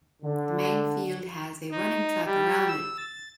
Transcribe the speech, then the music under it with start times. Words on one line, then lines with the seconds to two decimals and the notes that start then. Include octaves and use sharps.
The main field has a running track around it.
0.22 D3
1.71 D#4
2.26 G3
2.68 E6
2.98 A6